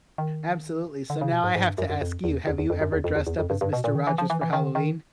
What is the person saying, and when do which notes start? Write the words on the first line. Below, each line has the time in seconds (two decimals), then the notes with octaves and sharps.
absolutely, so now I have to ask you, have you ever dressed up as Mister Rogers for Halloween?
0.18 D#3
1.10 D3
1.21 C#3
1.32 B2
1.44 G#2
1.56 G#2
1.67 G2
1.78 F#2
1.89 F#2
2.01 F2
2.24 E2
2.47 E2
2.58 E2
2.70 F2
2.81 F#2
2.92 E2
3.04 F2
3.15 E2
3.27 E2
3.39 F2
3.50 G2
3.61 G2
3.73 B2
3.84 A#2
3.95 D#3
4.07 E3
4.18 F3
4.30 E3
4.41 E3
4.53 D#3
4.64 D3
4.75 D#3